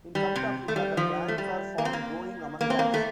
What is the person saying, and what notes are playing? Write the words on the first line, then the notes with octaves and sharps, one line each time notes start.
In South Africa the plants are found growing among rocks.
G3
C3
A3
G3
F3
A3
G3
A#3
C4
A#3
A#3
C4
A#3
A3